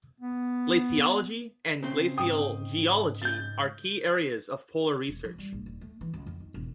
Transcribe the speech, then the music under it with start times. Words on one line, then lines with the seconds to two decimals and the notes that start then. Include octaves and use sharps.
Glaciology and glacial geology are key areas of polar research.
0.20 B3
1.83 C#3 C4
2.17 G#2 G5 D#6
3.22 G6 A6
5.09 E1
5.24 F3
5.38 G3
5.53 A#1
5.66 D#1
5.81 A3
6.01 E3
6.14 C#2
6.26 F2
6.40 D#3
6.54 E1